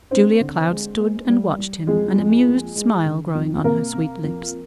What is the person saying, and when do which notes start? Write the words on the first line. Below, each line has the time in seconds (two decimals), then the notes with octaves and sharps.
Julia Cloud stood and watched him, an amused smile growing on her sweet lips.
0.11 C4 D4 C5
0.40 D3
0.70 G#3
1.00 A#3
1.29 G3
1.58 G3
1.87 F2 G#3 G#4
2.17 F2
2.47 A#3
2.76 G#3
3.05 D3
3.35 F2
3.64 C3 A#3 A#4
3.94 C3
4.24 F2